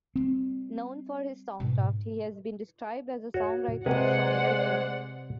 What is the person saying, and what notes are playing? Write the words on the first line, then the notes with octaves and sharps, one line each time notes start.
Known for his songcraft, he has been described as a "songwriter's songwriter".
G3 C4
G#2 B2
F#4 C#5
C3 G#3 B4 C5 D5 F#5